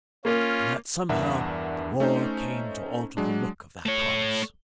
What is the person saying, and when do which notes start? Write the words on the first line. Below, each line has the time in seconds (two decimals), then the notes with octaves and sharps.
And that somehow the war came to alter the look of that promise.
0.25 A#3 C#4 F4 A#4
1.09 E2 G2 D4 A#4 E5 F#5
2.00 A3 C#4 D#4 C5
3.17 F#3 G#3 D4
3.86 A3 C#5